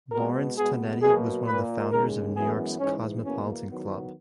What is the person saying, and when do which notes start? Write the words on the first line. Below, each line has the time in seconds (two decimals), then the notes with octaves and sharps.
Lawrence Tonetti was one of the founders of New York's Cosmopolitan Club.
0.11 B2 G#3 B3 A#4
0.56 B2 G#3 B3 G#4
1.00 B2 F#3 A#3 G#4
1.45 A#2 A#3 B4
1.90 D#2 C#3 G#3 A#4
2.34 F#2 E3 G#3 B3 G#4
2.79 G#2 E3 G#3 C#4
3.23 E2 B2 A#3 C#4
3.68 E2 D#3 F#3 B3